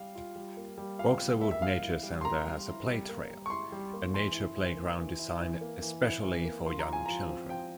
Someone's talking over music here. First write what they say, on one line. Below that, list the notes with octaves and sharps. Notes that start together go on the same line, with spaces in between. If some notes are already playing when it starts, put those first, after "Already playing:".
Boxerwood Nature Center has a PlayTrail, a nature playground designed especially for young children.
Already playing: G3 F5
F4
G3
A#3
G3
F4 F5
G3
A#3 E5
E5
G3 F5
E4
G3
C6
A#3 A#5
G3
E4
G3
A#3
G3
C#6
E4 C6
G3
A#3
E3 C6
E4
E3
A#3
E3
E4
E3
A#3
E3
E4
E3
A#3
F3 C6
A#5
F4
G#5
F3 A#5
C4
F3 G5